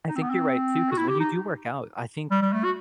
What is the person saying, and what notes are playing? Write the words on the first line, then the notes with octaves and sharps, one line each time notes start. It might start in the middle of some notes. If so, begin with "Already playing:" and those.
I think you're right too, cause when you do work out, I think,
D#4
C4
B3
C4
F#4
E4
G4
D#4
G3
G3
A3
F#4